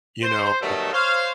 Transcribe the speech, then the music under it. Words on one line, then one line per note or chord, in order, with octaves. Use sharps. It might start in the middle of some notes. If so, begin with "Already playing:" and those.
you know?
C5
B2 D#3 F#3 G3 A3
C5 C#5 F5